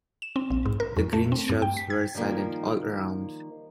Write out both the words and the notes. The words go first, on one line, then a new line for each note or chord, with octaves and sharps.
The green shrubs were silent all around.
E7
C4
A#1
G#2
A#4
F2
A3
C4
G2
G5
B6
G#6
D#3 F3 G3 A#3 D#4